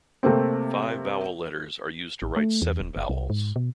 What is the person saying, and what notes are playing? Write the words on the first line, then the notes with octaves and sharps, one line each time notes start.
Five vowel letters are used to write seven vowels.
C3 A3 A#3 C4
A1
A3
E2
D#1
F#1
C2
G#2
B2